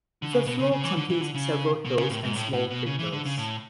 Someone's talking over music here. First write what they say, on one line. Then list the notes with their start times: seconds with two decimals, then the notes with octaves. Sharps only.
The floor contains several hills and small craters.
0.22 D3
0.33 C#3
0.47 B2
0.59 C#3
0.72 C#3
0.84 E3
0.96 D3
1.10 E3
1.21 D3
1.35 C#3
1.85 B2
1.97 C#3
2.10 A2
2.23 G#2
2.36 A2
2.53 A2
2.71 B2
2.86 C#3
2.99 E3
3.12 D3
3.25 C#3
3.38 A2